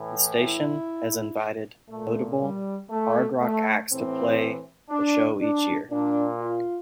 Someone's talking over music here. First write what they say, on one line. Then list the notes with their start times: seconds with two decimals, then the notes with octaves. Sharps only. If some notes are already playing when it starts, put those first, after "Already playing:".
The station has invited notable hard rock acts to play the show each year.
Already playing: A2 E3
0.39 E4
1.89 A#2 A3
2.39 G3
2.90 A3
3.40 A3
3.90 A2 E3 C4
4.90 D4
5.40 D4
5.90 A#2 D4
6.40 F4